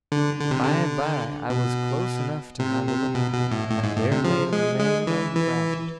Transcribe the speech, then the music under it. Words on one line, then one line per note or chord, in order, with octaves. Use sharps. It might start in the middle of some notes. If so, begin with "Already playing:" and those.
By and by I was close enough to have a look, and there laid a man on the ground.
D3
D3
C3
D3
B2
C3
C3
B2
B2
A2
A2
G#2
A2
C3
F3
G#3
G#3
E3
E3